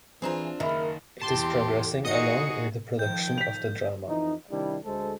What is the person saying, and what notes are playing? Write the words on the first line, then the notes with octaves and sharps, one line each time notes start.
It is progressing along with the production of the drama.
E3 C4 D4 F4 G#4 C5 A#5
F#1 D#3 A#3 A#4 E5 B5
E2 G4 A5 C6
D#4 F#4 G#4 D#5 D#6 C#7
D#3 F3 G5 G6
B6 F7
F2 E3 D#4
C3 D#3 G3 D4 E4
D2 G#3 A3 A4 C5